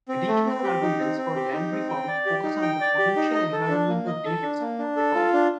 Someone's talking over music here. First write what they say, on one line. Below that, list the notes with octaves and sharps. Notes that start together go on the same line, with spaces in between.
Additional arguments for land reform focus on the potential environmental benefits of reform.
C4
A3
C4
G4
D#4
C4
C4
G4
D#4
C4
G5
D5
G4
D#4
G5
D5
G4
D#4
D#5
A4
D4
A#3
D#5
A4
D4
A#3
D4
A4
F4
D4